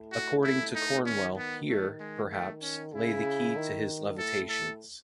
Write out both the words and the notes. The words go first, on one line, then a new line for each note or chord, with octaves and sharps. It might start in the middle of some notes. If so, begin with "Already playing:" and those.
According to Cornwell Here, perhaps, lay the key to his levitations.
Already playing: A2
F#4
E4
D#4
D#3 C#4
B3
A3
G#3
A3
C#4
C#3 E4
D#3
A2 A4
A4